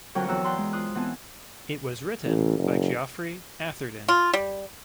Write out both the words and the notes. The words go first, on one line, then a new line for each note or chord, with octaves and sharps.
It was written by Geoffrey Atherden.
F2 D3 F#3 A#4 C#5 G5
E2 E3 F#3 A#5 E6
B4 D5 G5 A#5 C6
G#3
F4 C5 D#6 F#6
E3 B3 C4 G#5 A5
A1
F#1
F4
G3